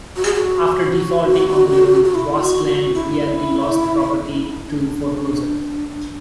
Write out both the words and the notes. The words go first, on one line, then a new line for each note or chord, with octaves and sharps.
After defaulting on the loan, Vastland Realty lost the property to foreclosure.
F#4
G#4
F#4
F#4
E4
F#4
F#4
E4
D4